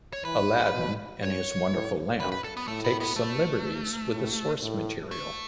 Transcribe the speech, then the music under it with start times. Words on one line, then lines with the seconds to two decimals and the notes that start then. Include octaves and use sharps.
"Aladdin and His Wonderful Lamp" takes some liberties with the source material.
0.13 C#5
0.25 E3 B4
0.73 B2
1.22 F#2 C#5
1.71 A2
2.20 F#2 B4
2.32 B4
2.44 A4
2.57 B3
2.68 A2 A3
2.84 B3
3.00 B3
3.16 A3
4.14 A2
4.63 A2
5.11 A3